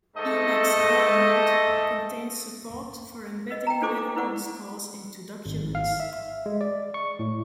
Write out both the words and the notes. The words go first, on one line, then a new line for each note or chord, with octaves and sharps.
Emacs' org-mode contains support for embedding LilyPond scores into documents.
G#2 A3 A4 D#5
B4 D#5
G5 A#5
D4 F4 A4 C5 C#6 D6
D6
E4 B4 C5 D5 F#5 C#6
G#1
F5
E5
G#3
D5
C#6
A2